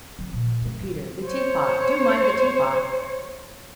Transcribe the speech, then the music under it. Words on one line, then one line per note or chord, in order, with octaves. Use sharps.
"Oh, Peter--the teapot--do mind the teapot!"
F3
A#2
F#2 A3
E3
C5 C#5